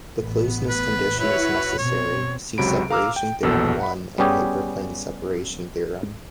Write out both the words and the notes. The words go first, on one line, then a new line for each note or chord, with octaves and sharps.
The closedness condition is necessary, see Separation theorem I in Hyperplane separation theorem.
A1 B3
B4
E4 F#4 B4 C#5
B2 C4 C#5
C#2 C3 F#3 B5 D7
F5 A#5 D6 E6 F6
G5
A#1 E2 B2 A4 E6
F#5 B5
G3 B3 C#4 G4 G#4